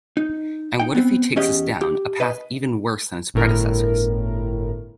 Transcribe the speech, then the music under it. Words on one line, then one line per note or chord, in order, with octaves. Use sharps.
And what if he takes us down a path even worse than his predecessor's?
D#4
D#4 G5
B3 C4
E2 C#4 G4 D#5
G4
B4 D#5
G1 A2 A#4